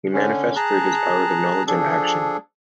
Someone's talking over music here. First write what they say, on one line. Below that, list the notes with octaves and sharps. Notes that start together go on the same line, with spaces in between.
He manifests through his powers of knowledge and action.
D3 C#4
G#4 A5 A#5 F#6
F3 D4 G#4 A4